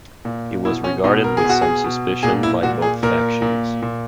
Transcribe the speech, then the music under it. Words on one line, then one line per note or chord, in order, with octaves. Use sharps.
He was regarded with some suspicion by both factions.
A#2
B2 E4
C#4
B2 D#4
A#4
G#4
B2
F#4
G#4
B2
A#2 G#4
E4
A#2 F#4
G#4
A#2 A#4
A#2
A#2